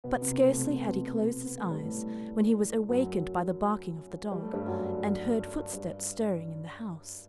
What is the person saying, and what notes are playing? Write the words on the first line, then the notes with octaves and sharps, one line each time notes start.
But scarcely had he closed his eyes when he was awakened by the barking of the dog, and heard footsteps stirring in the house.
B2 B3
C3 C4
C3 C4
A3
B2 B3
A3
B2 B3
B3
A3
G3
A2 A3
F#2 F#3
G3
A3
G2 G3
F#2 F#3
F#2 F#3
G2 G3